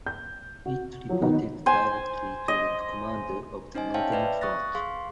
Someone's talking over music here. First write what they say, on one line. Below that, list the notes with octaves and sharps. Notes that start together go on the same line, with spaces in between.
It reported directly to the commander of the Northern Front.
G6
F#4
F3 F#3
D#3 B3 D#4
C5 G#5
D#5
C#4 D#4 C5 D#5 G#5
C5 C#5 E5 F5 G5 A5
B4 D5 E5
C#6 D#6 F#6 A6 A#6
G#4 F5 C6